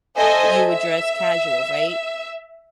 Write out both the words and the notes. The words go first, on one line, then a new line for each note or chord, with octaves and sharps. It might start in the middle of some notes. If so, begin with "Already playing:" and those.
you would dress casual, right?
A4 C5 D#5 E5 G#5
E5